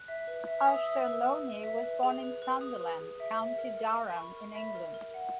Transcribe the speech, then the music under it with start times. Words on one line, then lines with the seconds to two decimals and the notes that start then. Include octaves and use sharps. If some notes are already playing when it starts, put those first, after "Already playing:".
Auchterlonie was born in Sunderland, County Durham in England.
Already playing: F#6
0.08 E5
0.27 B4
0.47 E5
0.67 E5 D#6
0.75 E6
0.83 E5 D#6
1.05 B4 E6
1.25 B4
1.45 B4
1.63 E5
1.83 B4
2.03 G#4
2.23 B4
2.42 B4
2.61 G#4 D#6
2.81 B4
3.00 G#4
3.20 E5
3.39 E5
3.58 A#4
3.77 A#4
3.97 A#4
4.12 B5
4.16 A#4 C#6
4.37 A#4
4.55 E5 B5
4.75 A#4
4.94 A#4
5.14 F#5